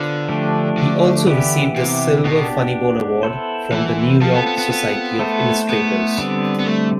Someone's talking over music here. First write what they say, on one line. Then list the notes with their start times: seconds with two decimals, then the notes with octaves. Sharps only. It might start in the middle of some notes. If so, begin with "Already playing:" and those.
He also received the Silver Funnybone Award from The New York Society of Illustrators.
Already playing: D3 B3 F4 C5
0.28 F3 A3 D4 G4
0.78 D3
1.27 E3 B3 E4 G4
1.76 C3
2.25 B2 B3 D4 G4
3.23 B3 E4 A4 C5
3.72 E3
4.21 F3 C4 F4 A4
4.34 B3
4.46 B3
4.58 B3
4.70 B3
5.19 A3 E4 A4 C5
5.69 B3
6.18 D3 G3 C4
6.59 B3
6.67 A3